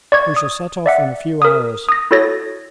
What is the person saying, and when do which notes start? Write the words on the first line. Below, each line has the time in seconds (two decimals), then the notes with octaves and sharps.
"We shall set off in a few hours."
0.12 D5 C#6 G#6
0.36 D#6
0.86 D5 E5 F#5
1.42 A#4 D#6
1.89 D#6 A#6
2.11 E4 F#4 A4 C#5 A6 A#6